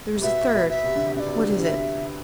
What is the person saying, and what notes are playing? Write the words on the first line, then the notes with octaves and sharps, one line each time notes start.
There is a third. What is it?
C3
B2 E5
B2
E5
C3
D3
C3
D3 D5 E5
C3
D3
C3
D3 E5
C3